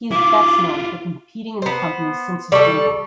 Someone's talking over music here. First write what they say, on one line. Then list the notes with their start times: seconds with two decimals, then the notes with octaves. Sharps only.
He is best known for competing in the company since his debut.
0.11 E4 F4 D6
1.62 B3 C5
2.52 G3 A4 D5 C#6